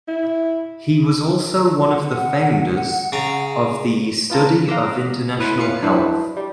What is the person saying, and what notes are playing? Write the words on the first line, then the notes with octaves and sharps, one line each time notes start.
He was also one of the founders of the study of international health.
E4
F#5
C#3 A#5
B3 F4 A4 A#4
F5 F#5 A#5 C6 D6 E6
A2 B4 C6
A2 F4 B4 F5 C#7
F#3 D4 E4 B4 C5
G3